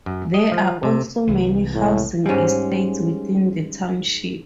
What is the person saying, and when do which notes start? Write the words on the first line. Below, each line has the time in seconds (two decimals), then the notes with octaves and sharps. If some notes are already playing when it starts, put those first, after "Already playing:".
There are also many housing estates within the township.
0.06 F#2
0.34 D#5
0.52 F3
0.83 C3
1.27 C2 E3
1.75 A2
2.26 G#2 G3 G#3 C#4